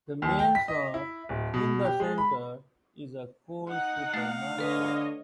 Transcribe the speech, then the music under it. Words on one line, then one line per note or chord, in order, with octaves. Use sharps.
The main shop in the centre is a Coles supermarket.
D#2
G5
B6
D#5
E4
D1
B2
G4
G#3
B5
D#4 F#5
A3 F5 F#6 A6
D3 A4 B4 C#5 D#5